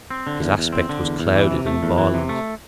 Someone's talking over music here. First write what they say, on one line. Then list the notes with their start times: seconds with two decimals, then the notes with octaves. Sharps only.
His aspect was clouded and violent.
0.10 C4
0.27 D3
0.42 E2
0.58 E2
0.73 C4
0.89 D3
1.04 E2
1.19 E2
1.35 E3
1.51 C3
1.66 A3
1.83 E2
1.98 E3
2.14 C3
2.29 A3